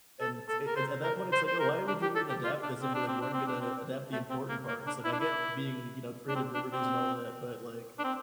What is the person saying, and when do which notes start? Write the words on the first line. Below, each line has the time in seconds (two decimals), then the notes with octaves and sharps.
And it it at that point, it's, like, "Oh, why would you even adapt this if you, like, weren't gonna adapt the important parts?" Like, I get being, you know, creative liberties, and all that, but like
0.21 A4
0.49 A4
0.67 A#4
0.76 C5
1.04 A#4
1.33 C5
1.48 C5
1.60 A#4
1.88 D4
2.02 G4
2.16 A4
2.30 G4
2.44 F4
2.63 D4
2.82 C4
2.95 D4
3.08 C4
3.21 D4
3.34 C4
3.48 D4
3.61 C4
4.12 A3
4.30 C4
4.49 A#3
4.68 A#3
4.87 D4
5.05 E4
5.13 D4
5.20 E4
6.29 D4
6.36 C4
6.54 D4
6.73 C4
7.99 D4
8.04 C4